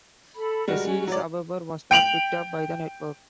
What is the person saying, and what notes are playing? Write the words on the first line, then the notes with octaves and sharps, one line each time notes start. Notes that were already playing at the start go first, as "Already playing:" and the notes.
The series, however, was not picked up by the network.
A4 B5
G3 G#3 F#4 A#4
C#4
F#3 C#5 D5
G5 D7 F7 F#7